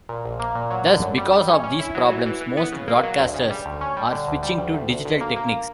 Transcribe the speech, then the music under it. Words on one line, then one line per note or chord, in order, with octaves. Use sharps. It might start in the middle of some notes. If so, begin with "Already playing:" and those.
Thus, because of these problems, most broadcasters are switching to digital techniques.
A#2
A#1
A#3
A#2
F#3
D3
F#2
G3
G3
C#4
C#4
E4
F#3
E3
E3
E3
B3
C#3
A#3
F#3
D2
C#3
G3
D2
C#4
G3
D3
D2
G3
D2
D2
D2
D2
A#3
A#3